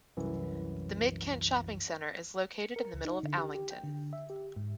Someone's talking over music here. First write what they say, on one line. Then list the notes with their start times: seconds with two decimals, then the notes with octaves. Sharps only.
The Mid Kent Shopping Centre is located in the middle of Allington.
0.17 C2 F#2 E3
2.61 C#7
2.76 A#4
2.94 C#2
3.05 D#4
3.23 D3
3.37 G4
3.55 G4
3.71 G5
3.84 D3
4.13 E5
4.30 G4
4.56 G#2